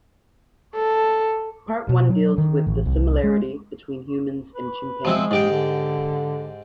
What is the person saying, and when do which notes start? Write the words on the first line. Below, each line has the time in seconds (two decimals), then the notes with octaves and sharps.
Part one deals with the similarity between humans and chimpanzees.
0.75 A4
1.89 B2
2.09 F#3
2.38 D#3
2.67 A1
2.86 C2
3.24 G#3
4.55 B4
5.05 F3 G#3 C4 E4
5.31 G#2 G4 G5
5.50 D3